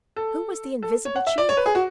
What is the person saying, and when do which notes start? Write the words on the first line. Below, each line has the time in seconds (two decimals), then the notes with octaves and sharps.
Who was the invisible chief?
0.16 A4
0.83 A4
1.05 C#5
1.16 F#5
1.27 E5
1.38 D5
1.49 C#5
1.57 B4
1.66 G#4
1.75 F#4